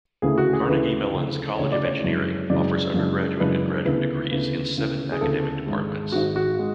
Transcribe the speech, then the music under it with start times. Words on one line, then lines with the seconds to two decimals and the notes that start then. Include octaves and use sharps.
Carnegie Mellon's College of Engineering offers undergraduate and graduate degrees in seven academic departments.
0.22 D2 C#3 E3 A3 G#4
0.38 F#4
0.53 G#4
0.68 D2 C#3 E3 A3 B4
1.14 D2 C#3 E3 A3
1.58 D2 C#3 E3 A3 C#5
1.72 D5
1.85 C#5
2.04 F#2 C#3 E3 G#3 D4
2.50 F#2 C#3 E3 G#3 D4 D5
2.94 F#2 C#3 E3 G#3 D4
3.40 F#2 C#3 E3 G#3 D4 B4
3.85 D2 C#3 E3 B3
4.31 D2 C#3 E3 B3
4.77 D2 C#3 E3 B3
5.12 G#4
5.21 D2 C#3 E3 B3 A4
5.67 G#1 G#2 G#3
6.12 G#1 G#2 G#3 F#4
6.36 F#4
6.59 G#3